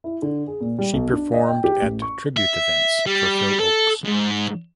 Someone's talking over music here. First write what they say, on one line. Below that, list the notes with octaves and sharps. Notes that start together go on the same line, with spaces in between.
She performed at tribute events for Phil Ochs.
E4
D3
G#4
A#2
G3
B1
D4
D#5
G5
G4
A1
C#6
E5
G3
A4
G#2